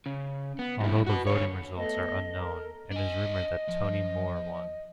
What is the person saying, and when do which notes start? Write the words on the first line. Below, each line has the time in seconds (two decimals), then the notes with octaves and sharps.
Although the voting results are unknown, it is rumoured that Tony Moore won.
0.06 C#3
0.59 B3
0.81 G2 E4
1.07 F#4 B4
1.27 D3 C#5
1.77 A3 B3 A4 D#5
2.38 A4 A#4
2.92 D4 D#5 G#5
3.68 F3